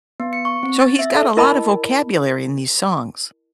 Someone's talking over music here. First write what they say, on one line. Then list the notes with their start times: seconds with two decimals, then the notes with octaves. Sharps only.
So he's got a lot of vocabulary in these songs?
0.20 B3
0.33 C#7
0.45 C#6
0.63 C4
0.81 A6
0.99 E5
1.15 A4
1.37 E4 A#4 D#5 A5 B5